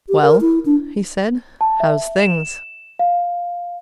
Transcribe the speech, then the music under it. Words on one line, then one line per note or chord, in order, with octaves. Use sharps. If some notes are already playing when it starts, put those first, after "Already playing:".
"Well," he said, "how's things?"
G4
A#4
E4
D4
A5
E5
E7
F5